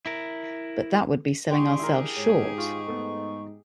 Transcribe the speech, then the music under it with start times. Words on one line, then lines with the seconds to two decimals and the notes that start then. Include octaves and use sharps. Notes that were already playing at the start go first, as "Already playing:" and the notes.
But that would be selling ourselves short.
0.06 E4 A#4
1.50 D#3 G#3 D4 G4 G#4 G5 C6 C#6
1.79 E4 A#4
2.16 G#2 D#4 C#5
2.58 F4 C#6
2.87 A3 B3